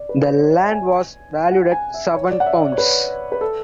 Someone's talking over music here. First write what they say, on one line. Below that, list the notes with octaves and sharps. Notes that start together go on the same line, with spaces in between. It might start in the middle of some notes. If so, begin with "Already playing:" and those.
The land was valued at seven pounds.
Already playing: D5
B4
C#5
D5
E5
G#5
F#5
G#5
E5
C#5
D5
F#5
E5
D5
C#5
B4
B4
A4